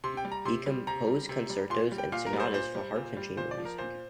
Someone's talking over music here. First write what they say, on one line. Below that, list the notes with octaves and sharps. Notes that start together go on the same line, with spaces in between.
He composed concertos and sonatas for harp and chamber music.
C3 C6
G5
G3
A#5
C3 C6
G3
C3 A#5
G3
C3
G3
A#2 C6
G3
G5
A#2 F5
A#4
G3
C5
A#2 C5
G3
A#2
G3
A#2 C5
D5
F3
A#4
A#2 C5